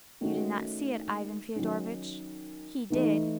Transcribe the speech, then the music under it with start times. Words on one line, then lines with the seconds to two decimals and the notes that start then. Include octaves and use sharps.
You did not see it, Ivan Fyodorovitch, he did.
0.21 D#3 A3 C#4 F#4
1.56 D#3 F#3 C#4
2.90 E3 A3 D#4